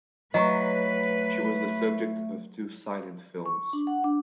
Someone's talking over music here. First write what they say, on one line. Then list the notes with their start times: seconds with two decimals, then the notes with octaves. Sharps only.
She was the subject of two silent films.
0.34 F#3 A3 B4 D#5 A#5 C#6
3.46 C#6
3.73 D4
3.87 F#5
4.04 D4